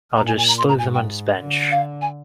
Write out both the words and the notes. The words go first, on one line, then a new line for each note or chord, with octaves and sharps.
I'll just leave them on this bench.
A#2 A#5
G#5
G#5
A#5
C6
A#5
G#2 G#5
G5
D3
F5
G#5